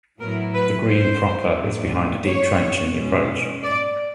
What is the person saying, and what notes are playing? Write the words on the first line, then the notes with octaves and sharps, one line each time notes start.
The green proper is behind a deep trench in the approach.
A2 F#3 B3 E4 A#4
B4
C5
A2 F#3 A3 D4
C#5
B2 G#3 C#4
D5